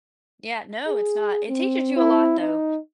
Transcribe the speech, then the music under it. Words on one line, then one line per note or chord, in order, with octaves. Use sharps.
yeah, no, it's not it teaches you a lot, though.
G#4
C4
E4
D#4